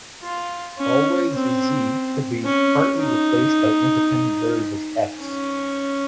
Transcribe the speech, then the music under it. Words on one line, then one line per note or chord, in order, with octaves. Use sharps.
Always, "z" could be partly replaced by independent variables "x".
F4
C#4
C4
C#4
D#4
C#4